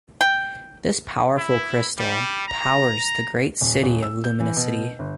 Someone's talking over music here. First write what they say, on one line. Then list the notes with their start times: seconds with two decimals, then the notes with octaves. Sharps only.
This powerful crystal powers the great city of Luminicity.
0.21 G5
1.37 E4
1.99 G3
2.49 A#5
3.61 D#1
3.83 D#1
4.02 E6
4.24 G6
4.40 E3
4.57 B2
4.99 G1